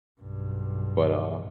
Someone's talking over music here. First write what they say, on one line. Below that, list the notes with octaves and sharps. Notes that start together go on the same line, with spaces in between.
but, um
B1 G2